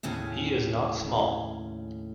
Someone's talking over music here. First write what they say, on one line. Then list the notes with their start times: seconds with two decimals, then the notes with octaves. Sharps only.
He is not small.
0.03 D#2 A2 C#3 C#4